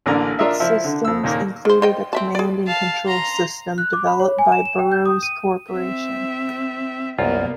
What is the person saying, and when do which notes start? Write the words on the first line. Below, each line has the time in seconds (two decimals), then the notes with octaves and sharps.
Its systems included a command and control system developed by Burroughs Corporation.
0.06 A1 D3 A#3 D5 G#5 A#5
0.39 D4 F4 A#4 D#5 E5
0.60 F3 E4 E5
0.84 D3
1.05 F2 E6
1.23 D#2 A#2 D#3 A#3
1.65 D#3 C5
1.82 C5 D#5 G5
2.13 C4 E5 A5
2.35 G#4 D5
2.67 F5 A5
3.07 A#5 C6
3.78 F#6
3.93 D6
4.07 B5
4.20 C#5
4.39 G#5
4.52 E7
4.65 E7
4.79 G5
4.92 G6
5.06 D#6
5.23 D#7
5.70 C4 E5
7.18 C2 F#2 A#3 B3 F4